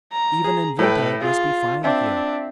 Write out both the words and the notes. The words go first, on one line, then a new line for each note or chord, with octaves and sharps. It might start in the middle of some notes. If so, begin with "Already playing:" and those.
"Even in winter it must be fine here."
A#5
G#4
A2 A4 B4 G5
F4 G#4
C4 D4 E5